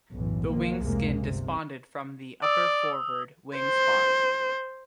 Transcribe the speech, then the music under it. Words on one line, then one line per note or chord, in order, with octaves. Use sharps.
The wing skin disbonded from the upper forward wing spar.
B1 F#2 A2 E3
D#3 F3 A#3
F1 C#2 C3 G#3 A#3
G1 C3
D5 D#6 E6
C5